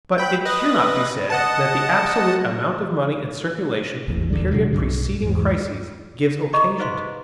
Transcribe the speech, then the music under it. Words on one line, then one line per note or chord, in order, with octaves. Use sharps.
But it cannot be said that the absolute amount of money in circulation in the period preceding crises gives occasion to them.
G5 B5
B4 D#5
D#5 F#5 A5
A1 E2
D1 E2 D3 G3
B2 D3 F3 F#3
B1 G2
E2 G#2
D#5 A#5 B5 C#6 D6
D#4 G#4 B4 C5 F5 C6